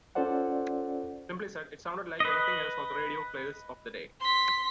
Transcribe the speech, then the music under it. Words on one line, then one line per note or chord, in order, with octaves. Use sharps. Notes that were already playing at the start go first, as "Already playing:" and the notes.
Simply said, it sounded like everything else on the radio playlists of the day.
C#4 F4 A4 C5 D5 F#5
B4 D#5
C6 B6